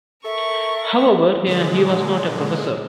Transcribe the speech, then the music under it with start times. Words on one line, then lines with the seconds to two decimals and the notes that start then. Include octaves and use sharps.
However, he was not a professor.
0.25 A4 A#4 E5 C#6
1.46 A#2 D3 G#3